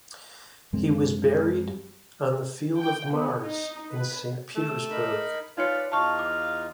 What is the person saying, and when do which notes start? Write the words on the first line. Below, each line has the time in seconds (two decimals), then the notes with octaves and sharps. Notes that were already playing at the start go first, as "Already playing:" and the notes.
He was buried on the Field of Mars in Saint Petersburg.
0.73 F#2 G#3 C4
2.80 G5
3.13 B3
3.44 D#4
3.91 B4
4.56 A3
4.91 D#4 A#4 B5
5.57 D#4 F4 B4 C#5 D5 C#7
5.92 E2 D#4 F4 F5 A5 C#6
6.19 D6